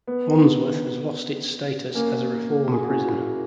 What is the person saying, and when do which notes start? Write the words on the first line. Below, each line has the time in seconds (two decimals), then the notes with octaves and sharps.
Wansworth has lost its status as a reform prison.
0.07 B3
1.94 A#3 C#4
2.72 G#4
2.80 F#4
2.88 C#4 E4